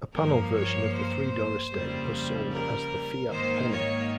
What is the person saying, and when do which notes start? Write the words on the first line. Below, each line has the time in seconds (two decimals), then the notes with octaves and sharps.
A panel version of the three-door estate was sold as the Fiat Penny.
0.14 G2 F3 A#3 A#4
0.54 C#5
0.93 C5
1.72 F2 C#3 G3 A#3
2.52 A#4
3.30 G#2 D#3 A#3 C5
3.71 C#5